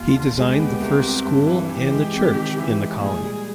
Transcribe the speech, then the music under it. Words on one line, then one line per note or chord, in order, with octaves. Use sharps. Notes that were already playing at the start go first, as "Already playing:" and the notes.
He designed the first school and the church in the colony.
Already playing: D#2 F4
D3
G#3 G4
B3
C2
C3
G2
E3
E3 G4
G#3
C3
D#3
E3
G#3
A#2 G#4
G3